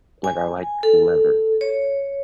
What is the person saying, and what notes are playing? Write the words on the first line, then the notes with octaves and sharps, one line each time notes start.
Like, I like leather.
G#5
A4
C#5